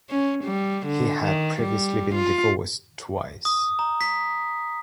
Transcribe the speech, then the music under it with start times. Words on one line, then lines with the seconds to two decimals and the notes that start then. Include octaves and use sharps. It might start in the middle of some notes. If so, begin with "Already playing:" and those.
He had previously been divorced twice.
0.10 C#4
0.45 G3
0.87 D3
1.24 D#3
1.62 G3
2.15 F4
3.45 D#6
3.79 A#5
4.01 B6